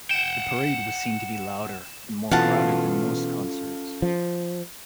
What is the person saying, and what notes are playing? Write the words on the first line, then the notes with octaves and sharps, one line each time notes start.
The parade was seen to be louder and more crowded than most concerts.
F#5 G5 E7
B2 E3 C#4 F4 A4 F5 F#5 A5
F3